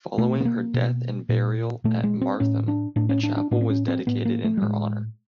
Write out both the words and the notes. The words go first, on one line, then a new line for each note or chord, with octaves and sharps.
Following her death and burial at Martham, a chapel was dedicated in her honour.
B2 A3
B3
A#3
B2
A#2
A#2 A3
G#3
C4
A2 C#4
D4
A2 D4
C#4
D4
D4
A2 D4
C4
C#4
C4
A2 B3
A#3
A3
G3
A2 G#3